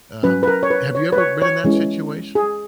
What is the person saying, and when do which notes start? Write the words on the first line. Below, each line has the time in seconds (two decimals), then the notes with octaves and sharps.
Um, have you ever been in that situation?
0.23 F#3 C#4 B4
0.43 B4
0.48 A#4
0.63 C#5
0.70 B4
0.95 C#5
1.12 B4
1.18 C#5
1.42 C#5
1.64 E3 G#3 C#4
2.35 G#4